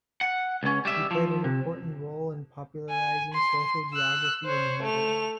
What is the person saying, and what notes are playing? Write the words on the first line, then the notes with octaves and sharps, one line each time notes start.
He played an important role in popularising social geography in the Netherlands.
F#5
C#2 C#4
G3 E5
F3
C3
G#5
C6
E6 F#6
C5 C#5
A3 F7